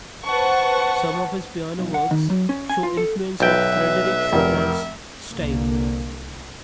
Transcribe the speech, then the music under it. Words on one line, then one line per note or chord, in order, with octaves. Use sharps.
Some of his piano works show influence of Frederic Chopin's style.
B4 C5 F#5 A5 C#6
B1
F#5
D#3
F#3
C#4
G#5
F4
A4
B1 B4 E5 G5
F1 A#4
C2 D3 A#3